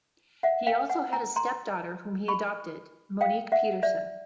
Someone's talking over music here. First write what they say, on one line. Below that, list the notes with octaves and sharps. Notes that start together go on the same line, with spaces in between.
He also had a stepdaughter whom he adopted, Monique Petersen.
E5 F#5
F5 G5
F#5 G#5
G#5 A#5
A#5 C6
B5 C#6
F5 G5
E5 F#5
D5 E5